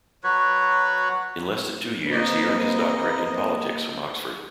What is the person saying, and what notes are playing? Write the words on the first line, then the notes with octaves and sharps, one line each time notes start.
In less than two years he earned his doctorate in politics from Oxford.
F#3 F#4 B4 C#5
A#3 C4 A#4 B4 D#5